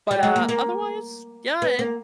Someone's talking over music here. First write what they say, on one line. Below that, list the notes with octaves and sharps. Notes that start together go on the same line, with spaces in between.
But, uh, otherwise, yeah, it
G3
G#3
A#3
A#3
B3
A#3